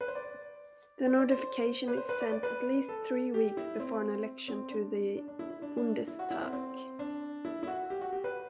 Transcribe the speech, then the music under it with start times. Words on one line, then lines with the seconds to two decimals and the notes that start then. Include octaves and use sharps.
The notification is sent at least three weeks before an election to the" Bundestag".
0.01 B4
0.08 C5
0.15 D5
1.06 C5
1.18 D5
1.31 C5
1.88 B4
1.97 C5
2.09 B4
2.20 D5
2.32 D5
2.43 B4
2.89 A4
3.34 G4
3.57 E4
3.80 C4
4.48 C4
4.71 D4
5.17 D4
5.28 D4
5.39 E4
5.50 E4
5.62 D4
5.77 D4
6.08 E4
6.19 F#4
6.31 E4
6.42 C4
6.53 C4
6.99 D4
7.45 E4
7.63 E4
7.67 F#4
7.90 G4
8.01 F#4
8.12 G4
8.24 B4